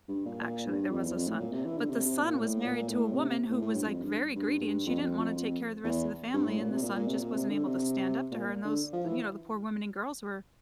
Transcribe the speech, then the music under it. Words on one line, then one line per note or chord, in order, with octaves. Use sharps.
actually, there was a son. But the son was married to a woman who was, like, very greedy, and she didn't wanna take care of the rest of the family, and the son just wasn't able to stand up to her, and those th you know, the poor women and girls were
G2
A#2
A#2
G2
F2
E2
F2
A2
A#2
C3
E3
D3
C3
C3
A#2
A2
A#2
A2
C3
A2
A2
G2
F2
G2
G2
G2
F2
F2
F2
F2
E2
G2
A2
A#2
C3
A#2
A#2
C3
A#2
C3
D3
C3
A#2
D3
F3
E3